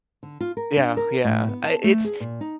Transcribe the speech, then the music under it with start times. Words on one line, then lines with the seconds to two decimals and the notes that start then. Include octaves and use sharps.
Yeah yeah, I it's
0.23 D3
0.41 F4
0.57 A#4
0.77 D4
0.97 A#4
1.24 A2
1.48 B3
1.63 A5
1.84 A3
2.05 G#4
2.20 A#2
2.41 D#4